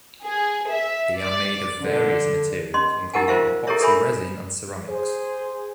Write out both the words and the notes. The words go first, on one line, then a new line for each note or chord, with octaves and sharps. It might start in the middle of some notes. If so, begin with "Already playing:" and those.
They are made of various materials, including epoxy resin and ceramics.
G#4
E5
D5
D3
C#4 D#5 C6
D#4 E4 G4 A#4 F#5 G#5
F4 A#4 C5 E5 F5
E4 G4 A4 A#4 C#5 E5
A4 A#4 C#5 E5 G#5 B5
G#4 C5